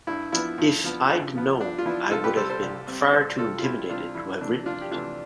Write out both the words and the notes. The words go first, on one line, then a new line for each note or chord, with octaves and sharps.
If I'd known, I would have been far too intimidated to have written it.
G2 E4
F3 B3 E4
G2
F3 B3
G2
F3 B3
G2 D4
F4
F3 B3 E4
C2 F4 A4
G4 B4
C3 G3 C4 A4 C5
A4 C5
C2
C3 G3 C4
D5
C2 A4 C5
C3 G3 C4 F4 A4
F4
C2 E4 G4
C3 G3 C4 D4 F4
F2 E4
C3 E3 A3 D4
F2 D4 F4
G4
C3 E3 A3 D4 F4